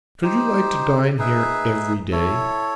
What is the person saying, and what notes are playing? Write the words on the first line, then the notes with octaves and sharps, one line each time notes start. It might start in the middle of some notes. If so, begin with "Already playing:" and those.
Should you like to dine here every day?'
D#4 G4 C5
D#4 G#4 B4 E5
E4 A4 C#5